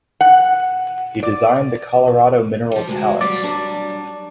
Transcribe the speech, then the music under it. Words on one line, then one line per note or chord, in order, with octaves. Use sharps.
He designed the Colorado Mineral Palace.
F#5
D5
F3 G3
D2 G#3 F#4
F#3 G3 D5 F5
F#3 G3 D4